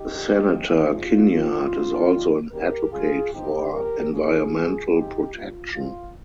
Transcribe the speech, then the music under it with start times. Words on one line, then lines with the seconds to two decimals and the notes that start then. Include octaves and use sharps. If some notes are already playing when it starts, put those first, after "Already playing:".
Senator Kinnaird is also an advocate for environmental protection.
Already playing: D#4 G4
0.09 C#2 C3 G3
0.49 G#1 G2 F3
0.89 G#2 F3 G#3 C4 F4
1.29 C#2 C3 F3 C4 F4
1.70 G#1 G#2 F3
2.11 D#2 D#3 G3
2.51 D#2 D#3 G3 C#4 G4 A#4
2.91 C#2 C#3 G3 F4 G#4
3.31 G1 G2 F3 C4 D#4 G4
3.72 F2 C#3 G#3 C4 G4 A#4
4.12 D#2 C#3 F3 G#3 C#4 F4 G#4
4.53 C2 C3 D#3 G#3
4.93 C#2 C3 F3 G#3 C4 D#4 G4
5.33 G2 G3 A#3 C#4 F4
5.74 C2 A#2 G#3 C4 F4